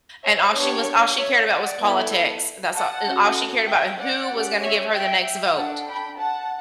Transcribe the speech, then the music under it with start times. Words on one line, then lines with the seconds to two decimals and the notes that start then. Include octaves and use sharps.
and all she was all she cared about was politics, that's a a all she cared about who was gonna give her the next vote,
0.23 C#5 E5
0.55 B3 D4 G4 C#5
1.17 C#5 E5
1.49 D5 F#5
1.80 B3 E4 A4
2.74 F#5 A5
3.06 C#4 F#4 A4
3.68 E5 G5
3.99 D5 F#5
4.30 C#4 G4
4.61 C#5 E5
4.93 E5 G5
5.55 D4 A4 F#5 A5
5.87 G5 B5
6.18 F#5 A5